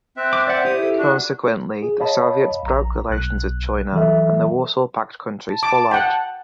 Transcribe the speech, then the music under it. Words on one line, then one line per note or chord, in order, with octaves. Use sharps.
Consequently, the Soviets broke relations with China, and the Warsaw Pact countries followed.
C4 E5 F#6
D6
C5 D5 F#5
E4 G4 D#6
A4
D4 F#4 F#6
G#4
C#5 D#5 F5 A5 B5
A#1 A#5
B1 F#6
E3 F#3 A4 E5
A5
D6
F#5 G5